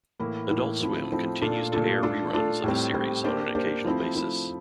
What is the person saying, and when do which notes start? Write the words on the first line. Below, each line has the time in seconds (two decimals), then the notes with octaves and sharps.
Adult Swim continues to air reruns of the series on an occasional basis.
0.19 A2 E3 A#3 E4
0.50 A2 E3 A#3 E4
0.81 F3 A3 C4 E4
1.12 F3 A3 C4 E4
1.42 A#2 A3 D4 F4 A4
1.72 A#2 A3 D4 F4 A4
2.03 A3 D4 F4 A4
2.33 A3 D4 F4 A4
2.64 A2 G3 C4
2.94 A2 G3 C4
3.24 A#3 D4 G4 C5
3.55 A#3 D4 G4 C5
3.85 F3 A3 C4 E4
4.15 F3 A3 C4 E4